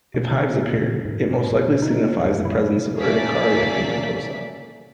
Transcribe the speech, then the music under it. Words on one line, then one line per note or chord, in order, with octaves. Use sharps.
If hives appear, it most likely signifies the presence of urticaria pigmentosa.
B2
A#2
G#2
A#2
D#4
F#2
E4
A#3 C#4 A4 D5 E5 B6